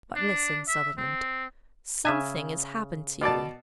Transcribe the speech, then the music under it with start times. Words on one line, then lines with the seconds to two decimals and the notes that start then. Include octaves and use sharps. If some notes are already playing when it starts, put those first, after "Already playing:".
But listen, Sutherland. Something has happened to you.
0.16 D4
0.68 E5
0.98 C4
2.05 C#3 E5 G#5
3.21 B2 D5 A5